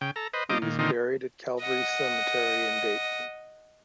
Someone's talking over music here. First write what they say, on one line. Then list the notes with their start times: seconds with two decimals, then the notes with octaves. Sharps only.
He was buried at Calvary Cemetery in Dayton.
0.01 C#3 G5
0.16 A4 A#5
0.34 B4 C5 D#5
0.50 G3 C4 D#4 F4 D#5 D6
0.62 A#2 D#3
0.79 A#2 D3 D#3 C4 D#4 F4
1.60 D#5 F#5